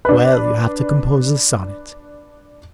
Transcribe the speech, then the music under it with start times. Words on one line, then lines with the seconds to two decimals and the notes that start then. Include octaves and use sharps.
Well, you have to compose a sonnet.
0.05 D4 B4